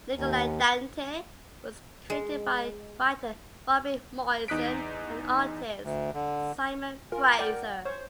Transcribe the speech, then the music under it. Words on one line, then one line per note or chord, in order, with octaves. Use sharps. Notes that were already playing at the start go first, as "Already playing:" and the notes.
"Nikolai Dante" was created by writer Robbie Morrison and artist Simon Fraser.
D#2
G#3
E2 D#4 D#6 F#6 B6 D7
D2
D3
F4 A#4 G#5
D5 F#5 G5
C5 C#5